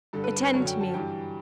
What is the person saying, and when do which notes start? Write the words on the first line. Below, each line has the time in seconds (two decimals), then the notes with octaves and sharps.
"Attend to me."
0.13 G2 D3 G3 A4
0.24 B4
0.34 A4
0.43 B4
0.53 F#2 D3 F#3 C#5
0.67 G5
0.81 A5
0.94 G2 E3 G3 G5